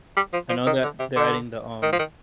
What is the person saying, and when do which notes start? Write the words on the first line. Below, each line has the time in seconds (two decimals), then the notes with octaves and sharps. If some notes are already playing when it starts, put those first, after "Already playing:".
I know that they're adding the, um,
0.17 G3
0.33 F3
0.49 F3
0.67 D#3
0.83 D3
0.99 C3
1.16 D3
1.83 D#3
1.92 F3
1.99 D#3